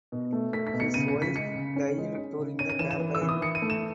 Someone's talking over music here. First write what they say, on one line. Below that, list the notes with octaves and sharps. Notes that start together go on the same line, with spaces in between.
His wife died during the campaign.
B2
A3
A3 B6
B6
B2
C#7
C#3 D#7
C#7
C#3
B6
G#3 C#7
C#3
C#4
G#3
C#4
C#3
C#4 D#7
D#7
E3 E7
E7
E3
E6
E3
D#6
E3 C#7
D#7
A3
E7